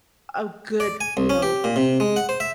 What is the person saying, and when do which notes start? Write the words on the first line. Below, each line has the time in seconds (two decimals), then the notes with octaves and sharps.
a good, you know,
0.80 D5
1.01 G#5
1.17 C2
1.30 C#4
1.42 G4
1.64 A#2
1.76 C3
2.00 G#3
2.16 F#5
2.29 C5
2.40 E5